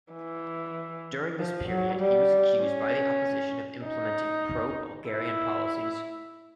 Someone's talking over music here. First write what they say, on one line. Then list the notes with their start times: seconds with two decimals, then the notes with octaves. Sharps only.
During this period, he was accused by the opposition of implementing pro-Bulgarian policies.
0.13 E3
1.38 F3
1.69 F#3
2.00 G3
2.62 C#4
3.86 D#4
5.10 E4